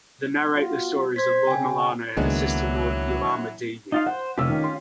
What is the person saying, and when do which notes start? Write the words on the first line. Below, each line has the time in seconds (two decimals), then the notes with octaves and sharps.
The narrate the stories of Lord Mallana and his sister Lord Yellama Devi.
0.57 B3 F4 F#4
1.16 C5 G#6 B6
1.47 C#3 G5 G#5
2.17 C#2 D#3 E3 F#3 G#3 A#3 B3 D4
3.92 D#4 F4 F5
4.07 C5 F#5
4.38 F1 C#4 F4 G4 E6
4.49 D#3
4.64 C6